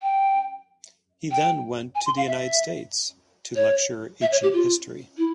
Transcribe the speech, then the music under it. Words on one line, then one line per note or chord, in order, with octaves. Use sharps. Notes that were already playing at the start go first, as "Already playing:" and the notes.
He then went to the United States to lecture ancient history.
G5
G5
G#5
C6
F5
E5
C#5
E5
C#5
G4
F4
E4